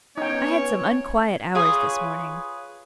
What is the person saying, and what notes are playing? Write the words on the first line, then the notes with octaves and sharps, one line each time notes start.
I had some unquiet hours this morning.'
B3 C#4 D#4 C#5 G5
F4 G#4 B4 C#5